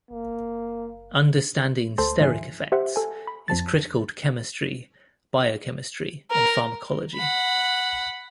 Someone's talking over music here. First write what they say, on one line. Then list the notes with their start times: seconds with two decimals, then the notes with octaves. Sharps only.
Understanding steric effects is critical to chemistry, biochemistry and pharmacology.
0.11 F#1 A#3
1.98 D2 A4 C5 A5 C6
2.20 G#2 D#3 F3 E5 G#5 C7
2.72 G4 C5 E5 F#5
2.96 A4 G#5
3.27 B5
3.48 F2 F3 A5 A6
6.31 A#4
7.16 F#5 B5